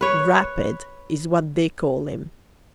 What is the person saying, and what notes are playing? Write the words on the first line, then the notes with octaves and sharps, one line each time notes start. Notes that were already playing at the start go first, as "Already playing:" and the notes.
"Rapid" is what they call him.
B4 C#5